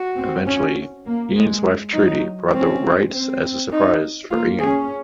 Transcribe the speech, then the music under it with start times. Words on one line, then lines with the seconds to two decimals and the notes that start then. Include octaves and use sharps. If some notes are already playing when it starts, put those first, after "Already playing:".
Eventually, Ian's wife Trudi bought the rights as a surprise for Ian.
Already playing: F#4
0.17 C4
0.46 C#4
1.06 A#3
1.35 G#3
1.93 F#3 D#4
2.53 C4 C#4
3.12 C4
3.72 D#4
4.31 A#3 F4
4.60 C#4 G#4